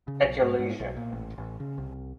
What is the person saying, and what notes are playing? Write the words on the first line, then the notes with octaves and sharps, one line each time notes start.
At your leisure.
C#3
B1
G#2
G#2
B1
A#2
A1
A1
C#3
C2